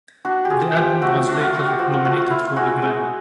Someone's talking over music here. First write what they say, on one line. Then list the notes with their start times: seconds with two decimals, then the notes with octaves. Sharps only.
The album was later nominated for a Grammy.
0.25 D4 F#4
0.45 G4
0.50 F4 G#4
0.76 F3 G4
1.02 A3 F#4
1.27 D4 F#4
1.41 F4
1.53 F4 F#4
1.67 G4
1.79 F3 F#4
1.92 F4
2.05 A3 F#4
2.18 F4
2.30 E4 F4
2.56 G#3 F#4
2.82 G#3